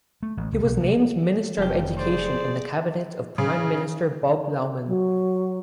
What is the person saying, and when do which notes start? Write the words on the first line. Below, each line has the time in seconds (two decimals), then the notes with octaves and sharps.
He was named Minister of Education in the cabinet of Prime Minister Bob Loughman.
0.23 A3
0.37 A1
0.52 C#2
0.64 B1
0.80 C3
1.58 F1 F3 G4
1.97 G#4 C5 D5
3.38 C#3
4.87 F#3